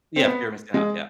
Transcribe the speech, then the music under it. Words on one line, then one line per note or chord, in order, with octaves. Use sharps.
Yeah, fear of missing out, yeah.
C4
B3
G#3